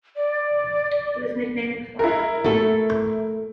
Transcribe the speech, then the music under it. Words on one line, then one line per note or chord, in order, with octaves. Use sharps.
He was nicknamed "the flower of Devon".
D5
E4 A#4
A3 A4